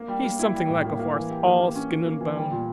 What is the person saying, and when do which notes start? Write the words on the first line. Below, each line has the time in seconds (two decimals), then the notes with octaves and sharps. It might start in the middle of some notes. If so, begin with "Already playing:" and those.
He's something like a horse--all skin and bone.
Already playing: A#3
0.08 G3
0.24 A#3
0.39 E4
0.54 G3
0.69 A2
0.84 A#3
0.99 A#3
1.15 E3
1.30 G4
1.45 A#3
1.60 A#3
1.76 C#4
1.91 C#4
2.06 A#3
2.21 E3
2.36 G3
2.51 A#2